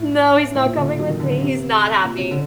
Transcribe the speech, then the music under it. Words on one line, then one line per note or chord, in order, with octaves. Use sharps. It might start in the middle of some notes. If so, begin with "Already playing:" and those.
No, he's not coming with me. He's not happy.
Already playing: A2
A2
A#2
D3
F#3
D#3
D3
D3
C3
A#2
C3
D3